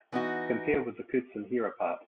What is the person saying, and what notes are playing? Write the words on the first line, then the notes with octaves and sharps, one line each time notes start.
Compare with the kutsinhira part.
E3 B3 D#4 F#4